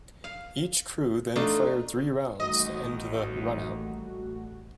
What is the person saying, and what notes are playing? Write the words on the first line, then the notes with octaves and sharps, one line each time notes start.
Each crew then fired three rounds to end the "Run Out".
F5
A3 D4 D#4 F4
A1 D#2 G3 A3 D#4 F#4 D#5